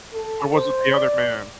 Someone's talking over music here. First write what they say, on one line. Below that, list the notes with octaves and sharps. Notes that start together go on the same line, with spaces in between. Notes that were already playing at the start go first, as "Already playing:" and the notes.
Or was it the other man?
A4
C5
D5